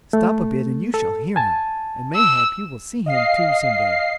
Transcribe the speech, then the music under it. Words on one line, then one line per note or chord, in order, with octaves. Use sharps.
"Stop a bit and you shall hear him, and mayhap you will see him too some day."
A3
A4
G#5 A5
E6
D#5 F5 C7